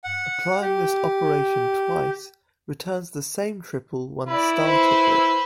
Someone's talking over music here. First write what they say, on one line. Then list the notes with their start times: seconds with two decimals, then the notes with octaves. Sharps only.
Applying this operation twice returns the same triple one started with.
0.04 F#5
0.62 G4
4.28 E4 B4 D5
4.62 B4 C5